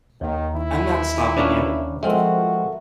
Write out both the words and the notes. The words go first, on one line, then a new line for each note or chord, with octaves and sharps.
I'm not stopping you!
D#2 D#3
D#3 E4
A#3 C#4 D4
F3 G#3 C4 F#4 A4 A#4 E5